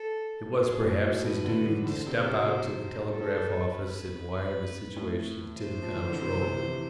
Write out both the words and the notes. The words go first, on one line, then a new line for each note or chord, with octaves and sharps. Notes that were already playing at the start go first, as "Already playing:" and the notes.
It was, perhaps, his duty to step out to the telegraph office and wire the situation to the Comptroller.
Already playing: A4
B2 G#4
A2
B2
B2 B4
D3
E3
D3 C5
C3
C3
B2
A4
B4
A2
C5
F3
E3
D3
C3
C3
E3